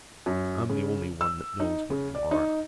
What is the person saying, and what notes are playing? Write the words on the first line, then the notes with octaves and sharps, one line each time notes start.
I'm the only one that knows what you are.
F#2
C#3
E6
D#4
C#3
D5
D#4